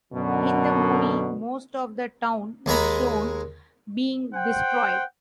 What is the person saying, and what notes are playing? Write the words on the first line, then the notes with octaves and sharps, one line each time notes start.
In the movie most of the town is shown being destroyed.
F#2 B2 D3
D#2 G#3 A#5 B5
C5 F#5 G5